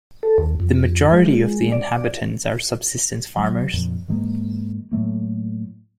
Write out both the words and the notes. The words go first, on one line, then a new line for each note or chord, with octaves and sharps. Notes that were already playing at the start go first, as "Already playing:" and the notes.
The majority of the inhabitants are subsistence farmers.
A4
D#2
F2
G#3
D5
F#3
F2 A#2 F3
G#2 E3 G#3 A#3
A2 F#3 A3 A#3